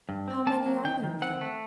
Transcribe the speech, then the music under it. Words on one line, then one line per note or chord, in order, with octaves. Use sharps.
"How many are there of them?"
G2
C4
A#3 A5
F#3
D#3 G5
D#3
C4 F#5
A3